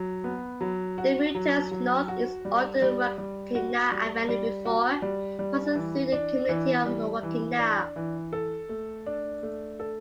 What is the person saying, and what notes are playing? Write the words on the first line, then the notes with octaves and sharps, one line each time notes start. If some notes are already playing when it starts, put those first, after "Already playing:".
The route turns northeast onto Waukena Avenue before passing through the community of Waukena.
Already playing: F#3
B3
F#3
F#4
F#3
F#3
F#4
G3
G3
G3
F#4
G3
G3
F#4
G3
G3
E3
D4
E3
G3
E3
D4
E3
A4
A3
D4
A3
A4